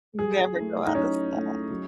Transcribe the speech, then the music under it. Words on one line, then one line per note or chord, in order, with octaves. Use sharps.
Never go out of style.
F#3 G#4
A3 E4
D#4
F#3 C#4
A3 E4
F#3